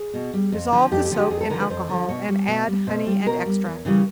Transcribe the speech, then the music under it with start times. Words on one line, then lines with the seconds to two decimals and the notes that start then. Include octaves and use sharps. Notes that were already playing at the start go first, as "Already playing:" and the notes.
Dissolve the soap in alcohol and add honey and extract.
Already playing: G#4
0.14 B2
0.33 G3
0.52 F2
0.72 D3 F3
0.91 F2 G4
1.05 G4
1.11 D3 F3
1.18 G4
1.30 F2 G#4
1.41 A4
1.50 D3 F3 A#4
1.60 B4
1.70 F2 C5
1.89 D3 F3
2.09 B2 C#5
2.28 G3
2.48 B2
2.68 G3
2.87 B2 C5
3.07 G3
3.26 B2 A#4
3.46 G3
3.65 E2
3.85 C#3 E3 G3